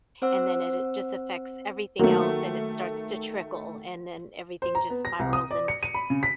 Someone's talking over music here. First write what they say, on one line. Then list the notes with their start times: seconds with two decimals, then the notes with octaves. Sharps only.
And then it just affects everything else, and it starts to trickle, and then, everything just spirals and,
0.22 C4 C5 F#5 E6
1.99 D#3 F#3 A3 A#3
4.62 C5
4.75 A#5
4.90 B3
5.05 A#6
5.19 C2
5.33 D#6
5.51 D5
5.68 C#7
5.83 D#7
5.94 B5
6.10 C#3
6.23 B6